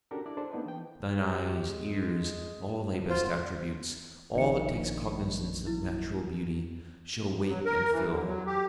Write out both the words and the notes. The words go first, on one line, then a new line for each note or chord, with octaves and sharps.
Thine eyes, ears--all thy best attributes--all that takes cognizance of natural beauty, Shall wake and fill.
C#4 D4 F#4 G4 A4 A#4
D4 E4 D5
D4 G#4 A4 C5
A#3 B3 D#4 E4 B4
E3 G5
G4
G#3
F4 F#4 C5
A#1 D#3 D5 C#7
E4
F#3
A#4
E3
D3
F#3
G4